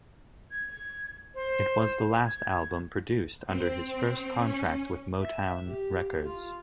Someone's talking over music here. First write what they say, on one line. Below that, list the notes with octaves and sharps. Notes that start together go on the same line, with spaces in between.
It was the last album produced under his first contract with Motown Records.
G#6
C5
G#6
C4
C#4
E5
G4
F4